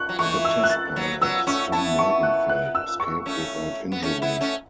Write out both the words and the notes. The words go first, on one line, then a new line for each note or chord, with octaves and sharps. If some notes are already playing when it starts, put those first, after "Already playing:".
The test pilot, Tom Morgenfeld, escaped without injury.
Already playing: C#6 F#6
F#3
E3 A3 C#6
E6
F#6
A6
F#3 B3
F#3 B3 E6
A3 C#4 C#6
B3 E4 A5
C#6
F#6
F#6
E6
C#6
A3 C#4
B3
A3 C#4
B3 E4
A3 C#4